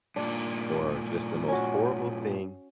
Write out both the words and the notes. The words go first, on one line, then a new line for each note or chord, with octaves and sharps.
or just the most horrible thing
G2 A#2 D4
C#4 F#4